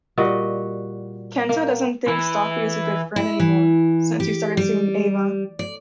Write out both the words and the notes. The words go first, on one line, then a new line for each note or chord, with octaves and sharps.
Kenta doesn't think Stoffe is a good friend anymore since he started seeing Eva.
A#2 G3 F#4 D#5
A#3
E3 E4
E4
E3
G4
G3
D5